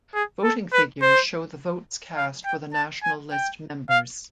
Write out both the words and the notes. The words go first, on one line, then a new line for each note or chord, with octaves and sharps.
Voting figures show the votes cast for the national list members.
G#4
A4
B4
C5
F5
G5
A5
G#5
G5
F5